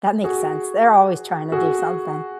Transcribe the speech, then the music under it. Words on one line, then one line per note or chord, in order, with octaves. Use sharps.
That makes sense. They're always trying to do something.
F#4 G#4
F#4 G#4